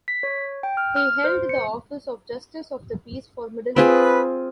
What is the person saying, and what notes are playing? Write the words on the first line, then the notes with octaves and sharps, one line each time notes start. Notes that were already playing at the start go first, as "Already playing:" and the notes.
He held the office of Justice of the Peace for Middlesex.
B6
C#5
G5
F6
F6
C5
C#7
C4 F4 G#4 B4